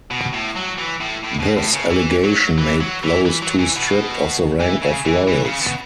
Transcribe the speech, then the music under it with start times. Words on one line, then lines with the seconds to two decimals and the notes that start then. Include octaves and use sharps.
This allegation made those two stripped of the rank of royals.
0.11 B2
0.33 A2
0.56 F#3
0.78 E3
1.01 A2
1.24 A2
1.40 B2
1.57 A2
1.74 C#3
1.91 E3
2.24 F#3
2.58 E3
2.81 F#3
3.03 E3
3.26 E3
3.42 F#3
3.59 E3
3.76 B2
4.60 E3
4.83 C#3
5.05 E3
5.28 E3
5.45 C#3
5.62 B2